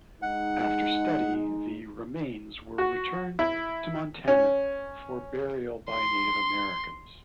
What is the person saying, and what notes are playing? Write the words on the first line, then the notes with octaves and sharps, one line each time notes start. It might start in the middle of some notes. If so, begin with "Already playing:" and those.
After study, the remains were returned to Montana for burial by Native Americans.
G#3 D#4 F#5
F#4
E4
C#4
C6